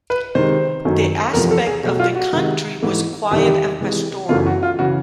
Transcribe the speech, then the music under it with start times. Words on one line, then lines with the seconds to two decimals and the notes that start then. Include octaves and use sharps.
The aspect of the country was quiet and pastoral.
0.10 B4
0.35 C3 D#3 G#3 C5
0.85 F#2 D#3 F#3 A3
1.33 E2 C3 F3 A3 A#4
1.51 A4
1.67 G#4
1.83 B2 F#3 A3
1.99 F4
2.16 F#4
2.33 C3 D#3 G#3
2.82 G#2 E3 A3
3.31 E2 C3 D#3 G3 G4
3.80 C3 E3 G#3
4.29 F#2 C#3 E3 A3 F4
4.46 F#4
4.63 F4
4.79 C#3 E3 F#4